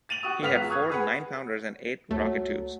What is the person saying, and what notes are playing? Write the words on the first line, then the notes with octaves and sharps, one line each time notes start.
He had four nine-pounders and eight rocket-tubes.
A6 D#7 F7 F#7
F#4 G4 C#6 D#6
G#1 B3 F6 B6 F7
F#3 G#3 F4 F#4
C#6 D#6 F#6 G#6
G#4 B4 F#5
C#2 F#3 A3